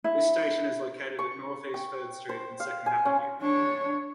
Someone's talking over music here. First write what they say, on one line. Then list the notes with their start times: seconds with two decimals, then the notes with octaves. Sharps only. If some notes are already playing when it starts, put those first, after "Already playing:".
This station is located at Northeast Third Street and Second Avenue.
0.04 E4
1.19 C#6
1.74 G5
2.29 C5
2.60 F5
2.86 G#5
3.05 C#4
3.41 D4 C#5